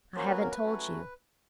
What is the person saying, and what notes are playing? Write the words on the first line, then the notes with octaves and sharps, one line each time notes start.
I haven't told you.
F#3 A#3 C#4 F#4 C5
B4
A#4
B4
F#3 A3 C#4 F#4